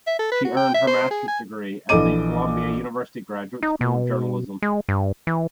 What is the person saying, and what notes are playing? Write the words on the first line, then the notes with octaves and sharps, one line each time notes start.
She earned her master's degree at the Columbia University Graduate School of Journalism.
E5
A4
B4
F#4
G5
E5
C5
G#4
G#5
A#1 E3 A4 D#5 D6 D#7
D#4
B2
G#3
G2
E3